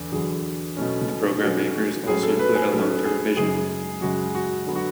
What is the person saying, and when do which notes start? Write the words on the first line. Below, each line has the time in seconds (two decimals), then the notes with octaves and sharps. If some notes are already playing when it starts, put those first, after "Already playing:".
The programme makers also included a long-term vision.
Already playing: E2 D3
0.12 E2 D3 F#3 G#4
0.77 B2 F#3 A3 C#4
1.42 B2 F#3 A3 C#4 F#4
1.75 F#4
2.07 A2 F#3 A3 C#4 G#4
2.23 A4
2.39 B4
2.55 G#5
2.72 A2 F#3 A3 C#4 A4
3.05 G#4
3.37 F#2 C#3 G#3 G#4
4.01 F#2 C#3 G#3 F#4
4.35 F#4
4.67 D3 F#3 B3
4.76 F#4